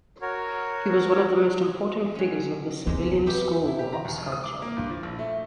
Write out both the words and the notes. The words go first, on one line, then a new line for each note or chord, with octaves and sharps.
He was one of the most important figures of the Sevillian school of sculpture.
F#4 A#4 C#5
F#3 C#4
E2 C3 G#3
B3 G4 E5
E4
G4
A#5
D#2
E1
D#6
D6
A#3
G2
F3
A#1
A3